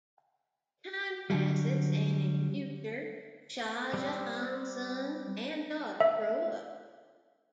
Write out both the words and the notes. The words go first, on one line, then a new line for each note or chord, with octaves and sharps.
Time passes, and in future Shah Jahan's sons and daughter grow up.
D3 F#3 G3
G3 C4
E5